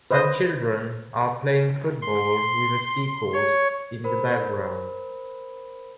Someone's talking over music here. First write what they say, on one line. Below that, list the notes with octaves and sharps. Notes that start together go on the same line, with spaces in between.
Some children are playing football with a seacoast in the background.
B4 C5 D#5
C6
C#5
A#4 C5 B5